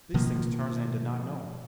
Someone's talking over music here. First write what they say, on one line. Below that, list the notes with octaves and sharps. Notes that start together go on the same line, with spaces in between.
These things Tarzan did not know.
B2 D#3 F3 A#3